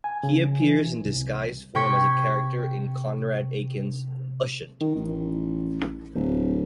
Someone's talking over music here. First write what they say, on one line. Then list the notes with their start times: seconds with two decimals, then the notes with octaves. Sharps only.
He appears in disguised form as a character in Conrad Aiken's "Ushant".
0.04 G#5
0.23 C#3
0.62 E3
1.06 C2
1.75 C3 G5 C#6 G#6 B6
4.81 D#3
4.95 A1
6.15 D1